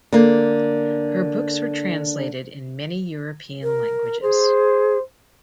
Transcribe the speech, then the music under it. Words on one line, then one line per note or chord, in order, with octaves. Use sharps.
Her books were translated in many European languages.
D3 A#3
A#4
G#4 C5